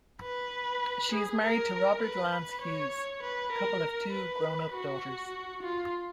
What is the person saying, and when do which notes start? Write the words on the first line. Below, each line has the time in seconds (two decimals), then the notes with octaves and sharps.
She is married to Robert Lance Hughes; the couple have two grown up daughters.
0.22 B4
1.12 G#4
1.42 A#4
2.02 B4
2.63 C#5
3.23 B4
3.53 A#4
4.13 B4
4.73 F#4
5.63 F4